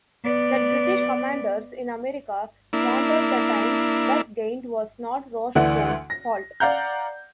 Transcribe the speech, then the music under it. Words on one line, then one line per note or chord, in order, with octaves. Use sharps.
That British commanders in America squandered the time thus gained was not Rochford's fault.
B3 D5
A#3 D4 E4
D2 D3 E3 D4 E4 F#5
A#6
D5 F5 F#5 A#5 G6